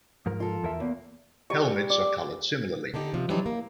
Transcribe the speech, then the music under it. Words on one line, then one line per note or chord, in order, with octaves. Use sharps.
Helmets are coloured similarly.
G#2 F3 A#4
F4 A4
E2 A#4 E5
E2 A#3
G3 C#6
D5
D3 D4 D#4 G4
C3 F3
E3 F#3 G3 C4 D4 D#4
A#3